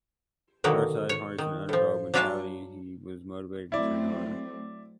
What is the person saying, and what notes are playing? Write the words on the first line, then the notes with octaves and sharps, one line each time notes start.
Garside harnessed an underdog mentality and he was motivated to train harder.
B2 D3 D#3 F#3 A#3
C#5
D#3
A2 F3
F#3 D4 F4 E5 G#5 A5
F#3 A3 C4 E4 D5